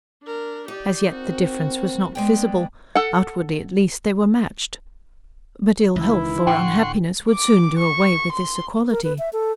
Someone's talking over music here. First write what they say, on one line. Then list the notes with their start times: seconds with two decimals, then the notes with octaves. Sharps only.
As yet the difference was not visible; outwardly at least they were matched; but ill-health or unhappiness would soon do away with this equality.
0.23 D4 A#4
0.68 D#4 G4 D5
1.11 C4 F#4 A#4
2.15 G#3 B3 D5 G5
2.95 A4 F#5
5.96 C#2 D#3 E3 E4
6.47 A2 D3 F#5 G5 C6 C#6
7.31 D6
7.79 C#6
8.32 C6
8.90 A#4
9.04 B4
9.19 E5
9.33 A4